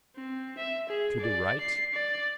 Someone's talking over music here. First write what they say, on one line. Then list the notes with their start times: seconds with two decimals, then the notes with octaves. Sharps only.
To the right.
0.16 C4
0.58 E5
0.89 G#4
1.20 D5
1.60 C7
1.93 D5